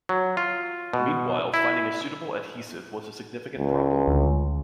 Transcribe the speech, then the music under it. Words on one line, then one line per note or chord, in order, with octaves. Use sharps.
Meanwhile, finding a suitable adhesive was a significant problem.
F#3
F4
B2
E4
C#2
D2